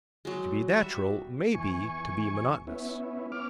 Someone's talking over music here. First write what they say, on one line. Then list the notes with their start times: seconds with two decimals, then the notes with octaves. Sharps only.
To be natural may be to be monotonous.
0.25 F#3 G#3
0.70 G3 F#4 E5
1.55 E2 G#5 C#6
2.67 B3 C#4 E4
3.32 B3 C#4 D6 F6